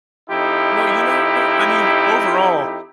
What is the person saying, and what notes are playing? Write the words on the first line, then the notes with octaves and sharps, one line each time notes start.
Well, you know I mean, overall,
F2 D#4 E4 G4